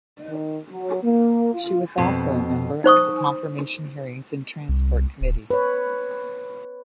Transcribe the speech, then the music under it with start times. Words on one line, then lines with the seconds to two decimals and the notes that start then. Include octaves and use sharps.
She was also a member of the Confirmation Hearings and Transport Committees.
0.28 D#3
0.70 F#3
1.03 A#3
1.53 F4
1.98 F2 B2
2.84 D#4 C5 C#6 D#6
4.69 C2
5.21 D1
5.50 B4 C#5